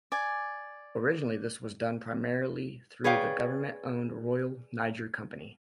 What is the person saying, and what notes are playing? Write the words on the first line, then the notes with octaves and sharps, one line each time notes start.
Originally this was done primarily through the government-owned Royal Niger Company.
D5 G#5
G#4 B4 C#5 D5 F5 G5